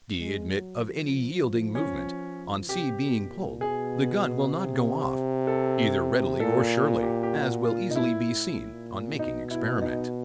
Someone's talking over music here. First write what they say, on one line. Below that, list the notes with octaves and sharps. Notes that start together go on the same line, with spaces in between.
If D admit of any yielding movement, on C being pulled, the gun will not go off, either readily or surely; as will easily be seen, on making experiment.
G#3
F#3
F3
C#4
C3 G4
B2
A#2
B2 G#4
C3
A4
A#2 A4
G4
G4
F#4
F4
D#4
E4
A2
A#2
B2 D#4
E4
D#4